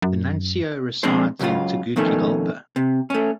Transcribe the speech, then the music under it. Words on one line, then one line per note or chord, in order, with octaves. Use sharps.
The nuncio resides in Tegucigalpa.
F#2
F3 G#3 C4 D4 C5
C#2 F#2 A2 C#3 F4
F2 B2 D#3 A3 C#4
C3
A3 C#4